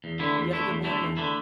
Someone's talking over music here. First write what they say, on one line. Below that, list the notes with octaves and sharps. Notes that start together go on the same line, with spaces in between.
You have a good morning.
E2
D3 A3 E4
E2
D3 A3 E4
E2
D3 A3 E4
E2
D3 A3 E4